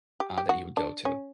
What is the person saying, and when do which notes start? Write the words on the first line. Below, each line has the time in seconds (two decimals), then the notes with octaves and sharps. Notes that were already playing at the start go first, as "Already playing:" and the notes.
uh, that you would go to?
0.20 G4
0.38 G4
0.49 F#4
0.77 D4
1.05 C#4